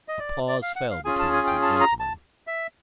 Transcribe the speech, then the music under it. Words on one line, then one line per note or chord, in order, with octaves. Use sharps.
A pause fell between the two gentlemen.
D#5
D5
D5
F5
F#5
F5
C#4 F4 G#4 G#5
A5
G#5
G5
A5
A#5
A5
E5